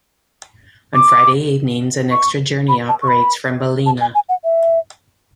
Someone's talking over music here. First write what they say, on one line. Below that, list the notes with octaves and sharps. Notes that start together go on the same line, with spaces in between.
On Friday evenings an extra journey operates from Ballina.
D6
C#6
B5
A5
C#6
B5
A5
G#5
G#5
F#5
E5